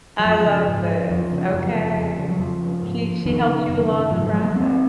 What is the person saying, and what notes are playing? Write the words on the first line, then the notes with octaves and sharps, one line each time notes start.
I love this. Okay. She she helps you along the process.
F#3
F#2 F3
C#3
G#2
F2 F3
C#3
F#2
C#3
F2
C#3
F#3
F2 F3
C#3
G#2
F2 D#3
C#3
F#2
C#3
G#2 F3
D#3 F#3
F3 G#3
F#3 A#3
F2 G#3 C4